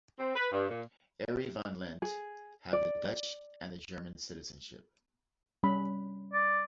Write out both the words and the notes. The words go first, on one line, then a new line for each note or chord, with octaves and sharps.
Arie van Lent have the Dutch and the German citizenship.
C4
B4
G2
A#2
G#4
D5
G3 C#4 B5
D5